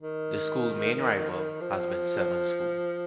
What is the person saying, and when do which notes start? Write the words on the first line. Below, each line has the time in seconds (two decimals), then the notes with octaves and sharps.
The school main rival has been Severn School.
0.02 D#3
1.61 F3